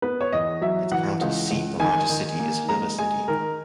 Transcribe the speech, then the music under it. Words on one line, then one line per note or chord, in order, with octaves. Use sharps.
Its county seat and largest city is Heber City.
B3 B4
C#5
E2 D#5
F#3 E5
E3 F#5
C#2
C#2
D#3 G#5
D#3
A#3
G#3 A#5
G#3 G#5
D#3 A#4